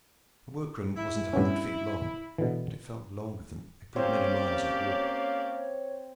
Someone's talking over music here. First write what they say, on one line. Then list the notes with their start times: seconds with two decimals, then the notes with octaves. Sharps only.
The workroom wasn't a hundred feet long, but it felt longer than a good many miles I've walked.
0.96 E4
1.33 G2 B3 C#4
2.38 B2 D3 E3
3.96 A#3 C4 C#4 G4 C#5 D5 F5